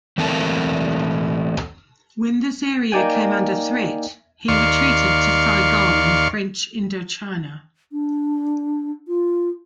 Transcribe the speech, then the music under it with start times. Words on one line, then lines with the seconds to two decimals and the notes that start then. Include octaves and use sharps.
When this area came under threat, he retreated to Saigon in French Indochina.
0.18 E3 A3 C4 A#4 A5
2.92 A#3 D#4 D5 G5 G#5
4.48 D#2 D5 F5 C6 C#6
7.92 D4
9.08 F4